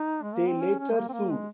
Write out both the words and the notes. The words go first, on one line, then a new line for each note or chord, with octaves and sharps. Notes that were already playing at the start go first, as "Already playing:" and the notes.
They later sued.
Already playing: D#4
G#3
A#3
C4
C#4
C#4
G#3
A#3
C4
A#3
G#3